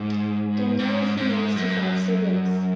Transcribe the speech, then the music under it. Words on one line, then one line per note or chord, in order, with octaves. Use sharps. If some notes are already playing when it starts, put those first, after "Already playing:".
Danielle is the youngest of five siblings.
Already playing: G#2
G#2
G#2
F#2